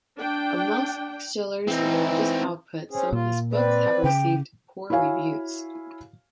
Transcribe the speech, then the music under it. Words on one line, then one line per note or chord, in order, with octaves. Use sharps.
Amongst Schiller's large output, some of his books have received poor reviews.
D4 G5
E3 C4 D#4
C4 C#4 G#4
A#2 F4
C4 B4 D5
C#3 G5
E4 F#4 C#5 F5 G#5